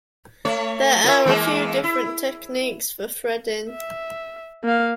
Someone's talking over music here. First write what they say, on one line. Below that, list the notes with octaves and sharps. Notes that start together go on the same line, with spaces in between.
There are a few different techniques for threading.
A3 C#5
F4 A#4 E5
E3 G#3 A#3
E4
E5
A#3 F5